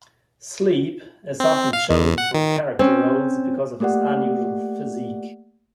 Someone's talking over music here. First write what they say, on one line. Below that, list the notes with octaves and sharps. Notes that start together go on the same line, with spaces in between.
Sleep is often chosen for character roles because of his unusual physique.
C4
F5
E2
F#5
D#3
C4 C#4
A3 A#3 G4 D5 F#5